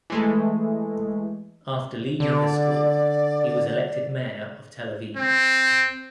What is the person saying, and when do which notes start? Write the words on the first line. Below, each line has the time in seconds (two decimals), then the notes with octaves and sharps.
After leaving the school, he was elected mayor of Tel Aviv.
0.10 E3 G#3 A3
2.20 D3 D5
5.17 C4